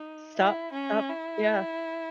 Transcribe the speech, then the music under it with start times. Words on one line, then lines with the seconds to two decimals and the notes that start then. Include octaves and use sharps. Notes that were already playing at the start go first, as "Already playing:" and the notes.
Stop stop yeah.
Already playing: D#4
0.37 E4
0.73 C#4
1.09 E4